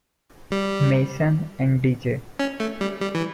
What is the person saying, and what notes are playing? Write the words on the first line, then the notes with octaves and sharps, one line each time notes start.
Mason and D. J.
G3
C#4
A3
G3
G3
E3